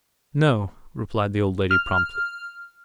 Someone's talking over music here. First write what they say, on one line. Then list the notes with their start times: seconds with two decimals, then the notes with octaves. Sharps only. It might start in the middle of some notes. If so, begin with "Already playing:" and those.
"No," replied the old lady, promptly.
1.71 F6